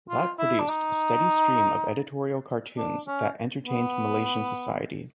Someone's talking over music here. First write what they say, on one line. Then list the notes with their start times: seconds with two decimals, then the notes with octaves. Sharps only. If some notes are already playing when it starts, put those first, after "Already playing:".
Lat produced a steady stream of editorial cartoons that entertained Malaysian society.
0.09 F4
0.39 E4
0.59 D4
0.69 D#4
2.77 D4
3.07 C#4
3.67 B3